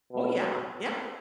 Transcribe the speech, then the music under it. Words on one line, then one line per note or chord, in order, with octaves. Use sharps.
Oh, yeah, yeah.
B2